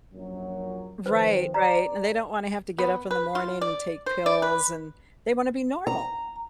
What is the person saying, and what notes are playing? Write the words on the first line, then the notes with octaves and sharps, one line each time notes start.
Right, right, and they don't wanna have to get up in the morning and take pills, and they want to be normal,
A#1 F#2 F#3
D#3 F3 C4 B4 C5
D5 A#5
B3
B4
F4
D5
C5
D5
B4
A#5